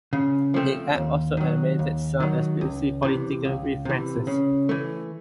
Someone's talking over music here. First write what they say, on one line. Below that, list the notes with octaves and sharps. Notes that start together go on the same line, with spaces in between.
He had also eliminated some explicitly political references.
C#3
F3 A3 C4
D#2
D#3 F#3
D#2
D#3 F#3
C#2
C3 E3
C#2
C3 E3
C#3
E3 A3